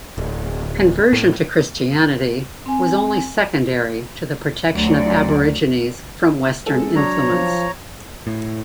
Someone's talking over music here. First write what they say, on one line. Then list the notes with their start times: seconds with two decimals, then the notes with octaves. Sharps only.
Conversion to Christianity was only secondary to the protection of Aborigines from Western influence.
0.18 D1
1.13 A2
2.66 C4 G#5
4.73 D2 F#3 D5
6.66 G#3 A4
6.96 F#3 D4 C#5 A#5
7.27 F3
8.27 A2